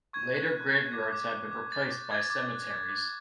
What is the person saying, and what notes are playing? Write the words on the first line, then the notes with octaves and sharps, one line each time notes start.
Later graveyards have been replaced by cemeteries.
C#6 G#6
F#6
F#6
C#6
D6 G#6
D6
D6
D6
G6 A6
D6
D6 G#6
D6
F#6
D6
D6